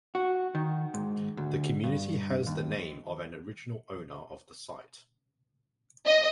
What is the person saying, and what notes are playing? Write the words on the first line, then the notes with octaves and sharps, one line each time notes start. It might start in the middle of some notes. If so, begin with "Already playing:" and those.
The community has the name of an original owner of the site.
F#4
D#3
G#2
D2
G2
D#2
D#5